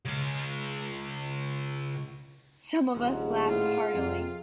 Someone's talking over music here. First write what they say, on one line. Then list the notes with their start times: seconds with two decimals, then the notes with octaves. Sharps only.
Some of us laughed heartily.
0.05 C#3 G#3
2.94 D#1 A#1 G#2
3.48 A2 F4
3.94 F2 C3